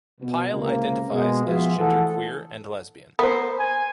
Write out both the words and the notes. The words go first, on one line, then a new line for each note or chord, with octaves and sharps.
Pyle identifies as genderqueer and lesbian.
B2
C#2 C3 A#3
B2 G#3
F3 B3 F4 F#4 G#4 E5
E3 F3 A3 G#4 A4 F#5
B3 A#4 C5
G#5